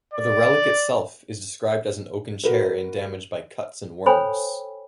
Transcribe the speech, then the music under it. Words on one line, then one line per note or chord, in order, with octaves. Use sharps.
The relic itself is described as an oaken chair damaged by cuts and worms.
D5
F#4 A#4 B4
A4 C5 C#5 G5 G#5 B5